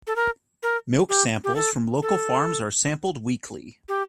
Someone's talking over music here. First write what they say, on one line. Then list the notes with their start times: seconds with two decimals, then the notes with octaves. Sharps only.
Milk samples from local farms are sampled weekly.
0.07 A4
0.16 A#4
0.63 A#4
1.09 G4
1.44 G4
1.56 A4
2.02 A4
3.88 G4